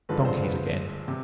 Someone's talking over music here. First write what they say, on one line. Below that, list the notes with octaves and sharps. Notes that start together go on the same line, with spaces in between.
Donkeys again.
G2 D3 F3 G#3 B4
C5
B4
C3